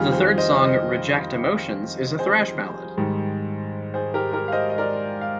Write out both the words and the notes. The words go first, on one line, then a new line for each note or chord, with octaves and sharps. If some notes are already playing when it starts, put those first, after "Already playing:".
The third song "Reject Emotions" is a thrash ballad.
Already playing: F2 D#3 G3 F4 G#4
G#4 C5
C5 D#5
C5 D#5
G#4 C5
G#2 D#3 G3
G#4 C5
G4 A#4
G4 A#4
F5
C5 D#5
D#5
A#4 D5
F5